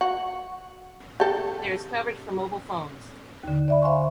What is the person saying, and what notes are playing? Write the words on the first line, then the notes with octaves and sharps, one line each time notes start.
There is coverage for mobile phones.
F#4
G4 A4
D#2 D3
D5 E5 B5
C5 E5 F5 G#5 C6 C#6